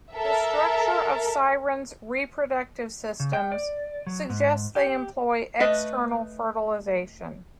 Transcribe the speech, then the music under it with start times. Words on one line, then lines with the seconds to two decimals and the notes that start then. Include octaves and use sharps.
The structure of sirens' reproductive systems suggests they employ external fertilization.
0.13 A4 A#4 E5
3.20 C#3
3.33 G5
3.52 D5
4.07 F#3
4.30 G#2
4.75 G4
5.60 A3 B4 D#5